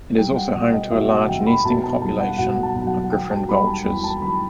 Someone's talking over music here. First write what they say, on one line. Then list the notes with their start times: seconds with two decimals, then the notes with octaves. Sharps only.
It is also home to a large nesting population of Griffon vultures.
0.18 G3 G5
0.36 F#5
0.54 B2
0.73 D#5
0.91 B2 E5
1.10 F#5
1.28 E1 G5
1.46 B5
1.65 B2 A5
1.84 A5
2.02 G3 A5
2.20 F#5
2.38 B2 F#5
2.63 A5
2.75 B1
2.87 F#5
3.12 E1 G5
3.31 A5
3.48 G3 B5
3.67 A5
3.85 E2 G5
4.04 A5
4.21 E1 B5